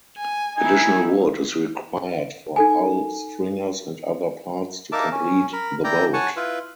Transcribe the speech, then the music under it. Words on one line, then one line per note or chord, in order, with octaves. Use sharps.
Additional wood is required for hull stringers and other parts to complete the boat.
G#5
D#4 E4 G#5
D#4 A4 G#5
A#3 D#4 A#4 E5 A5 D6
C#4
A#4 B5
E4 D5 G5 A#5
C#5 F#5 G#5 A5 C#6
E4 F4 B4